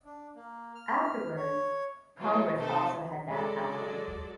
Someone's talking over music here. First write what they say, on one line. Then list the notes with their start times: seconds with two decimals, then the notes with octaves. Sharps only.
Afterwards, Congress also had that power.
0.05 D4
0.36 A#3
0.75 F6
1.36 C#5
2.20 E3 F#3 B3 F4
2.56 C3 A3 D#4 A4 C5
3.28 F#3 G#3 A4 D5